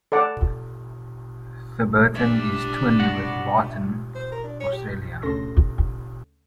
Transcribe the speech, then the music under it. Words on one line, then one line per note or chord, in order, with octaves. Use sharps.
Theberton is twinned with Thebarton, Australia.
A4 D5 F#5
C2 G3 D4 D5 E5
B3 F#4 F#5
A3
C5
A#4
D4
C#5
G4
D2 C#3 C#4 A4 C6 A#6